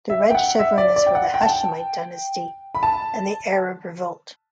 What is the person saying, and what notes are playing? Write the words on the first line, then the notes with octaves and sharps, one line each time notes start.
The red chevron is for the Hashemite dynasty, and the Arab Revolt.
E5
G5
F#5
E5
D5
D5
G5
F#5
G5
A5
G5
B5
A5